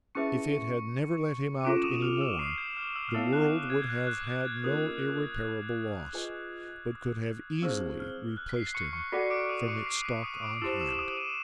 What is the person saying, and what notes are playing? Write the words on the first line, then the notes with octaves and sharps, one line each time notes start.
If it had never let him out any more, the world would have had no irreparable loss, but could have easily replaced him from its stock on hand.
C#4 E4 G#4 B4 E5 C#6 C#7
D#7
C#4 F4 A4 D6 D7
E7
D#6 D#7
F6 F7
E6 E7
C7
G6
F6
E6
F6
B3 E4 A4 C#5 F5 E6
F#6
G#6
G6
F#6
F#6
G6
G#6
A#3 C#4 F4 A#4 D#6
F4 G#4 B4 D#5 G#5
C4 E4 G#4 C5 E6
F6
F#6
B6
C7
C#6 C#7
C#6 C#7
F#4 A4 D5 F#5 C7
D6 D7
D#6 D#7
C#6 C#7
C7
B6
D#6 D#7
D6 D7
E4 G4 C5 E6 E7
E6 E7
D#6 D#7
D#6 D#7